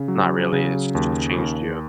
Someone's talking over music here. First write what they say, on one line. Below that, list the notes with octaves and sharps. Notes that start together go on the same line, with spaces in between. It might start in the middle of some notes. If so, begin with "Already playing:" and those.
not really, it's ch changed you?
Already playing: C#3
F#3
C#3
D#2
D#2